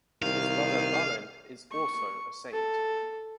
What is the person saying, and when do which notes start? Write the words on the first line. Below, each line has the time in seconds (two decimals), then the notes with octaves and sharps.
His brother Balin is also a saint.
0.22 C2 D#3 F5
1.71 C#6
2.53 A4